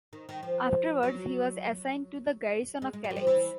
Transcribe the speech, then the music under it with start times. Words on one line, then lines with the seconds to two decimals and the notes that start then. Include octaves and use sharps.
Afterwards, he was assigned to the garrison of Calais.
0.13 D#3
0.29 D#3
0.43 F3
1.03 F#3
2.82 G#3
2.93 G#3
3.04 G3
3.11 F#3
3.16 F3
3.27 E3